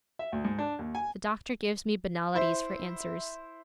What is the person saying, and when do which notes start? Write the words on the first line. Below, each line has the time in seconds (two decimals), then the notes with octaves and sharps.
The doctor gives me banalities for answers.
0.19 E5
0.32 D2
0.45 G#2
0.58 D4
0.79 D#2
0.95 G#5
2.34 E4 C5 E5